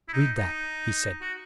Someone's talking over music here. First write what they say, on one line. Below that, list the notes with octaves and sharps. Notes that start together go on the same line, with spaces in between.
"Read that," he said.
E4
D#4
D#4
F#4